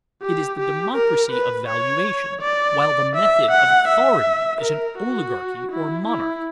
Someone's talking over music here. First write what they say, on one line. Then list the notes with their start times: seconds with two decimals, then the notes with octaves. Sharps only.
It is the democracy of valuation, while the method of authority is an oligarchy or monarchy.
0.23 G4
0.59 G4
0.96 A#4
1.31 B4
1.68 C#5
2.41 D5
3.15 E5
3.51 F#5
3.87 E5
4.61 A#4
4.98 F#4
5.71 E4
6.07 E4